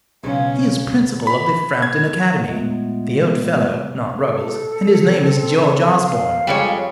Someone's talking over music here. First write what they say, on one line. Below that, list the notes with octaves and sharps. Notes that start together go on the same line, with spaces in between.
He is principal of the Frampton Academy--the Old Fellow, not Ruggles--and his name is George Osborne.
B1 C#3 G#3 A#3 C#4 F4 B4
B5
G#6
A#2 G#3 A3 B3
A4
C4
F5
F2 G3 G#3 C#5